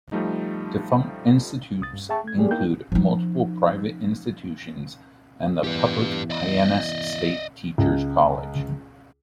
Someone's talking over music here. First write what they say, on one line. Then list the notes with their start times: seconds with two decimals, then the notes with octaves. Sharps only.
Defunct institutes include multiple private institutions, and the public Hyannis State Teachers College.
0.12 F3 G3 A3 D#4
1.81 C2 D#6 A6
1.93 G2
2.09 G#4 E5 G5 A5 C#6
2.24 A3 G#6
2.37 F#3 G#3 A#3 G4 G#4 D5
2.51 A#3 B3 D#4 E4 G5 G6
2.92 F3 D#4
5.64 E2 G4 B4
6.30 D5 D#5
7.78 C#2